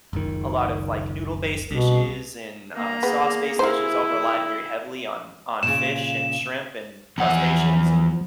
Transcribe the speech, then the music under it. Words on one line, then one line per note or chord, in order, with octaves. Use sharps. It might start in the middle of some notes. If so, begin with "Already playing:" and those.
a lot of, like, noodle-based dishes and, uh, sauce-based dishes all rely very heavily on on fish, and shrimp, and crustaceans, and,
F#1 C#2 D#3
C2 B2
A#3 A#5
B3 G#4
A#3 E4 C5
A#2 C#3 E7
E2 F3 F#5